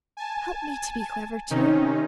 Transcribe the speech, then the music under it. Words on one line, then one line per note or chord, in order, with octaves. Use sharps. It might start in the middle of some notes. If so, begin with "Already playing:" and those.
Help me to be clever too.'
G#5 A5
C3 D#3 C#4 D#4